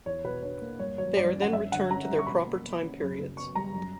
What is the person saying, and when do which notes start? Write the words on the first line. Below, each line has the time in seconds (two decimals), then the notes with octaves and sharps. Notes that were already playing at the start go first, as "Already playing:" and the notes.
They are then returned to their proper time periods.
0.06 E2 C#5
0.24 B2 B4
0.43 D4 C#5
0.62 A#3
0.79 G2 C#5
0.98 F#3 C#5
1.17 G2 D5
1.35 C#4
1.42 F#5
1.53 G2 E5
1.72 D3 F#5
1.90 C#4 A#5
2.09 G3
2.18 C#6
2.27 B2 B5
2.46 A#3
2.64 B2
2.82 C#4
3.01 F#2
3.18 C#3
3.37 B3 C#6
3.55 G3 A#5
3.74 F#2